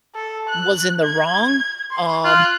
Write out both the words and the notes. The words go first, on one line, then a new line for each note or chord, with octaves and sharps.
was in the wrong, um,
A4
F#6
G#6
C6
F4 F#6